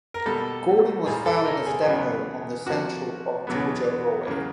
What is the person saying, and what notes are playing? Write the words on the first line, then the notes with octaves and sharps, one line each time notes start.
Gordon was founded as a depot on the Central of Georgia Railway.
A#4
B2 G3 A#3 A4
A#2 G3 A#3 G#4
A4
A#4
G#4
E2 C#3 F#3 B3
C3 F3 A#3 F#4
E2 B2 F#3 B3
E2 C#3 F#3 A#3